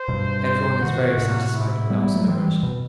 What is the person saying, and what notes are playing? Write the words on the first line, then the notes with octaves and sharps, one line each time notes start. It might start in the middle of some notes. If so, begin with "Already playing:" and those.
Everyone is very satisfied with our summit ration.
Already playing: C5
G2 B2
C5
B2 D#3 F#4
A2 C3
E4
G3 B3
G3 B3
F#3 A3
E3 G3 C4
B2